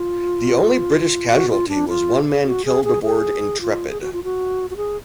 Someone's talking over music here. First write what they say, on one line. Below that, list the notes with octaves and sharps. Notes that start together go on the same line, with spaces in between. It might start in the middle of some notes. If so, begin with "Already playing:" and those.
The only British casualty was one man killed aboard "Intrepid".
Already playing: F4
F#4
F4
D4
F4
F#4
G#4
G#4
G#4
F4
G#4
F#4
F4
F#4
F#4
G#4